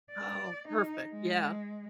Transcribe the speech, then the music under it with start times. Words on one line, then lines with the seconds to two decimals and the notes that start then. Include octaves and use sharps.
Oh, perfect. Yeah.
0.12 D5
0.67 D#4
1.11 G#3